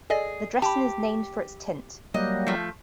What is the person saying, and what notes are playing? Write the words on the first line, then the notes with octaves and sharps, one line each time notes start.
The dressing is named for its tint.
G#4 A4 D5 D#5
G4 A5 B5
F#3 G3 A#3 D#5
F3 A3